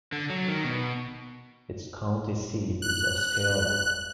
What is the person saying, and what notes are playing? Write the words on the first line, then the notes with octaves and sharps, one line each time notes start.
Its county seat is Osceola.
D3
F#3
D#3
B2
F#6